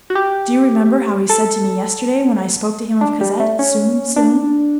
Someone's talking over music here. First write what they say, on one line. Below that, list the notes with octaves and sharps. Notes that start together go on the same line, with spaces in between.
Do you remember how he said to me yesterday, when I spoke to him of Cosette, Soon, soon?
F#4
G4
A4
D4
G3
A3
C#4
D4